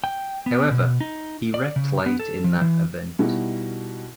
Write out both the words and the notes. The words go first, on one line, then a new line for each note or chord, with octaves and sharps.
However, he wrecked late in that event.
G5
B3
B2
D#4
D5
C#3
B3
A4
F3
E3
B2 G3 D#4 E4 F#4